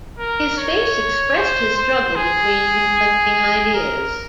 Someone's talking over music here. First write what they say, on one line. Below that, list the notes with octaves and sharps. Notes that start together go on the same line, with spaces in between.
His face expressed his struggle between conflicting ideas.
A#4
C#5
C5
C5
G#4
A#4